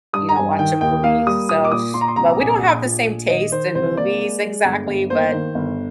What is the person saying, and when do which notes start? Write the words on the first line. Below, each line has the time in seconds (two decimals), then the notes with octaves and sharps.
you know, watch a movie, so, if s but we don't have the same taste in movies exactly, but,
0.13 G2 D#6
0.29 A#5
0.36 G2 G#5
0.59 D#3 G5
0.81 D#2 G5
1.04 A#3 F5
1.27 G3 D#6
1.49 A#2 D#6
1.64 D6
1.72 A#2 D#6
1.94 A#2 C6
2.01 A#5
2.08 C6
2.16 C2 A#5
2.39 A#1 G#5
2.62 A#1
2.85 F3
3.07 A#1
3.30 D#3 D#5
3.52 D#3 C5
3.75 C2 C5
3.97 A#3 D5
4.19 G#3
4.43 G#3
4.65 G1
4.87 G1
5.10 A#3 C5
5.33 D#3
5.55 G1